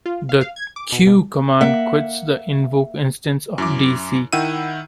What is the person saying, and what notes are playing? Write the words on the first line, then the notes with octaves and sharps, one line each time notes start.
The 'q' command quits the invoked instance of dc.
F4
F5
F5
G#6
D6
B2
B2
A#3 E5 F#5
F#2 E4 D6
D#3 E4 F#5 G5 E6 D#7